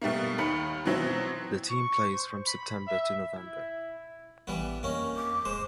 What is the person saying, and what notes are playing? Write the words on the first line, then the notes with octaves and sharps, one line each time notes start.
The team plays from September to November.
B2 G3 A3 A#3
D#2 D#3 B5 C#7
B2 E3 F#3 C4
C#6
C5
B5
E5
E4
A1 E3 G3 B3
F2 A#3 C#4 D#4
D6
D1 G#3 C5